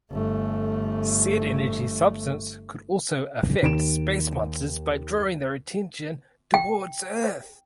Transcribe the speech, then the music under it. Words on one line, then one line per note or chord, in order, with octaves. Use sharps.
Said energy substance could also affect space monsters by drawing their attention towards Earth.
G1 A3
D#2 D7 E7
G5